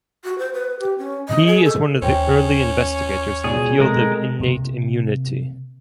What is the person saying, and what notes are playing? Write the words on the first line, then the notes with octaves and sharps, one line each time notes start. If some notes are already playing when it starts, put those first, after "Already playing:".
He is one of the early investigators in the field of innate immunity.
F#4
C5
B4
G4
C#4
D#5
G#4
A4
D#2 C#4 C5 C#5 G5
C#2 B2 G#4 D5
B2 G#3 C4 A4 A#4
C3 A#3